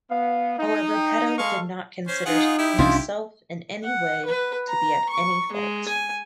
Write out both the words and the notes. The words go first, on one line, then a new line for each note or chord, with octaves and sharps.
However, Peto did not consider himself in any way to be at any fault.
B3 F5
D#4
G5
G#3 A4 F5 C#6
C#4 C5
D#4 F4 G#4 F#5
E4 G4
C2 C#4 D4 F4
F#5
B4
A#5
C#6
G#3
G#5